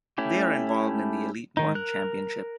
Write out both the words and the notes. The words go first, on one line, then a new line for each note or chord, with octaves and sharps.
They are involved in the Elite One Championship.
A3 C#4 E4 G4
D#3 D#4
A#4 F#6